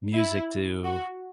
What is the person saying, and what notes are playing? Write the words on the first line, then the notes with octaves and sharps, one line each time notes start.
music to
E4
F#4